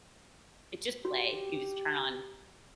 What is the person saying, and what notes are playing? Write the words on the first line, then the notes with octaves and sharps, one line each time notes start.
it's just play. You just turn on
F#4 G4